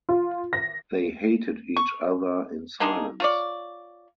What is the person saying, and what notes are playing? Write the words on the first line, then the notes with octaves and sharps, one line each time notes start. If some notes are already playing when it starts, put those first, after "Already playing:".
They hated each other in silence.
F4
A#6
C#6
A#3 D4 D#4 G#4
F4 C#5 D5